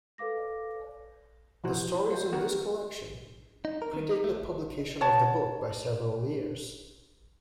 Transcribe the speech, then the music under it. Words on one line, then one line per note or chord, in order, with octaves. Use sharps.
The stories in this collection predate the publication of the book by several years.
A4 B4 F5 D6 A#6
E3 F3 F#4 C5
F#3 F4 C5
B3 F#4 G4 A#4
D#4
A#4
D#3
D#4
A3
C#5 F#5 A5